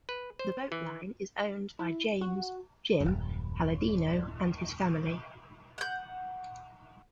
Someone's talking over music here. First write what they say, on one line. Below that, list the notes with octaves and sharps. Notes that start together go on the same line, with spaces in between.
The boat line is owned by James "Jim" Palladino and his family.
B4
C5
E3
E4
F#4
D#1 F#2
F#5 G6